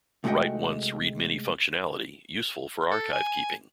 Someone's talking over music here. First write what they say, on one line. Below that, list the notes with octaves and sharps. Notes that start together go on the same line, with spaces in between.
Write Once Read Many functionality, useful for archive keeping.
C3 G#3 A3 F#4 D#5 G5
A4
G#5